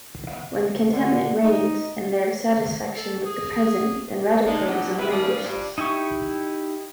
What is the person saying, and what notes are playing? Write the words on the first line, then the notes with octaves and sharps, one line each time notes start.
When contentment reigns, and there is satisfaction with the present, then radicalism languishes.
D3
D#4
A4
G#4
G#4
G#3 D4 D#4
A#2 E3 F#3 G3 B3 D4
C3 E4 B4
D#2 G3 A#3 G#4 D5 F5
G2 F3 D5
D#4 E4 G4 C#6